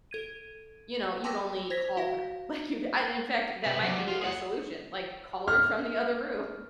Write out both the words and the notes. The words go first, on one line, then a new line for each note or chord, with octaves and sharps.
you know, you'd only call her. Like, you'd and in fact, that might be a solution, like, call her from the other room,
A4 G#6 D#7
G5 A5 C6 D6 E6 A#6
C5 G#6 A#6 B6
F#4 F5 A#6
C3 B4
F#3 G3
F4
G#4 F#5
F6